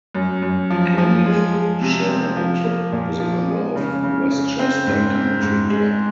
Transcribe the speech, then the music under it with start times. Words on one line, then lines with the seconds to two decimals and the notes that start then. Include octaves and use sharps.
Kenneth Chenault is a member of Westchester Country Club.
0.15 F#2
0.42 F#2
0.70 F3
0.98 F3
1.26 G#3
1.53 G#3
1.81 C3
2.09 C4
2.37 F3
2.65 A#3
2.92 A#2
3.20 F3
3.48 G#3
3.76 C#3
4.04 C#3
4.31 C#3
4.59 C4
4.87 G#2
5.15 C4
5.42 G#2
5.70 G#3